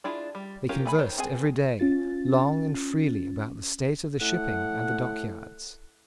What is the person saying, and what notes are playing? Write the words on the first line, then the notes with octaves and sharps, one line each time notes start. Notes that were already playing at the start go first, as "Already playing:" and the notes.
They conversed every day long and freely about the state of the shipping and the dock-yards.
D4 E4 F4 G#4
G3
C4 C#4 F4 G4 A#4
A3 G#5 B5
D#3 C5 C#5
B3 C4 G#4 G#5
C#4 F4 A6
A2 F#5